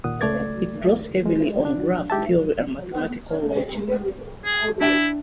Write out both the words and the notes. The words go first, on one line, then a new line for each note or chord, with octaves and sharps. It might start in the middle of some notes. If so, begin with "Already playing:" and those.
It draws heavily on graph theory and mathematical logic.
D#2 A#2 F#5 D#6
C#2 A3 D5 D6 G#6 A6
G#3
D4
G#3 G4 E5 A5
G#4
D4 E4 E5 G5